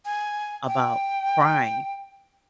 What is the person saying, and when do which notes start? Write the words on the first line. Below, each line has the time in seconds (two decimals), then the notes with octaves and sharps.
about crying,
0.05 G#5
0.67 G5